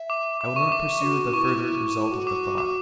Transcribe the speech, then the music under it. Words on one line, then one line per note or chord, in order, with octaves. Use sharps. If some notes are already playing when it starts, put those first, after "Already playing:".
I will not pursue the further result of the thought.
Already playing: E5
D6
E5 D6
C#6
D6
F#4
E4 C#6
E4
F#4
D6
D6